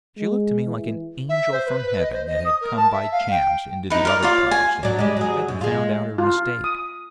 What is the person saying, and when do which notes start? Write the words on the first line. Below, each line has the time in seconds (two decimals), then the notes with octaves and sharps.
She looked to me like an angel from heaven that had come by chance into the other place and hadn't found out her mistake.
0.18 G#3
0.67 E3
1.29 E5
1.52 C5
1.66 B4
2.00 D#5
2.12 C5
2.27 D#5
2.44 D#6
2.61 A#4
2.76 A5
2.92 E5
3.11 F5
3.30 G5
3.90 D#4 B4
4.05 A#4 D5
4.23 F4 C#5 D5
4.51 G#5
4.83 F#3 D4
4.99 G3 G#3
5.17 F#3 G#4
5.48 F#2
5.61 G#3 F4
6.18 F4
6.64 D#6